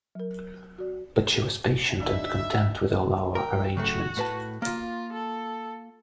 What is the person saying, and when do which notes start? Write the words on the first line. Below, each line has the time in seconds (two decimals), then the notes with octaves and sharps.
But she was patient and content with all our arrangements.
0.15 F#3 A#4
0.78 F#4 D5
2.00 D2 D4 D#4 E5
3.35 A#4 G5
3.77 C#3 F#3 A3 F#4
4.17 A2 B4 A5
4.62 A#3 F4
5.13 A4